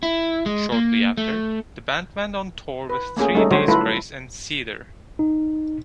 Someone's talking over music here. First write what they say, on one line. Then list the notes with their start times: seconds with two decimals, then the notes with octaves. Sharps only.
Shortly after, the band went on tour with Three Days Grace and Seether.
0.03 E4
0.46 G#3
0.72 A#3
1.17 A3
2.90 B4
3.17 A3 A#3 C#4 G#4
3.35 G3 A3 C#4 D#4 A4
3.51 D3 F#3 F#4 C5 C#5
3.68 A3 E4 F4 A4 B4
5.19 D#4